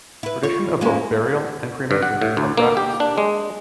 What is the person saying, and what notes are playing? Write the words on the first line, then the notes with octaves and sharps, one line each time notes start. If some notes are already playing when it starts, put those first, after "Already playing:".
Tradition of both burial and cremation are practised.
E4 B4
F4 C#5
G#3 A#3 C#4
G2
F#5
A2
D2
A#3
G4
D4
G#3